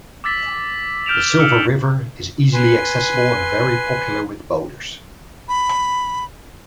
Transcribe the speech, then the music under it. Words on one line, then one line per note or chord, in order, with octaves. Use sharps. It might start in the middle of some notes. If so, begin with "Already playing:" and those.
The Silver River is easily accessible and very popular with boaters.
D6 E6 A6 B6
F6 G6 D7 E7 F7
E6 C#7
B4 G#5 C6
B5